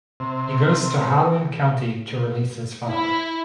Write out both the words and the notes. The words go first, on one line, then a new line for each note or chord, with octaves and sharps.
He goes to Harlan County to release his father.
C3
E4